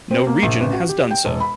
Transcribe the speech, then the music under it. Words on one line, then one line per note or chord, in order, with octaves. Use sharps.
No region has done so.
C4
A#3
A#1
A1
F#4
G4
G5
E1
B5